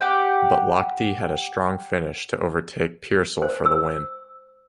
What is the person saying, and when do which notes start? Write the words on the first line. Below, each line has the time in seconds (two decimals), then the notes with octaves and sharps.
But Lochte had a strong finish to over-take Peirsol for the win.
0.01 G4 F#5 G5
3.42 C5
3.66 E6